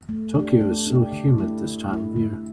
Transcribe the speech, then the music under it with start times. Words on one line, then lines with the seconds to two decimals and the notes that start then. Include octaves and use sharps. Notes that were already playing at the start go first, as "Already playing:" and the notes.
Tokyo is so humid this time of year.
0.09 A3
0.35 D4 G4
0.61 A3
0.87 D4 G4
1.12 D3
1.38 A3 E4
1.64 D3
1.90 A3 E4
2.16 D3